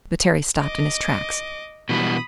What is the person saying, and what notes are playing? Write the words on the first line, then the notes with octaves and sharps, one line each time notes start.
But Terry stopped in his tracks.
D#5 D6
B2 E3 G3 B5 D#6